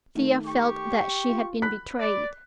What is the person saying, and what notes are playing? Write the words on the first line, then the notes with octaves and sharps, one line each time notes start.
Thea felt that she had been betrayed.
D#3 A3
G4 C#6
F4
B5 F#6 B6
D5